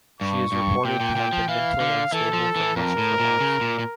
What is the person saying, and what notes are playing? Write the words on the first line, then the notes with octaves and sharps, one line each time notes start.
She is reported to have been mentally unstable for much of her life.
G2 C#6
G2
A#2 G5
A#2
A#2
F3
E3 F5
D3
E3 A4
F3
E3
F2 A#4
A2
A#2
C#3
A#2
A#2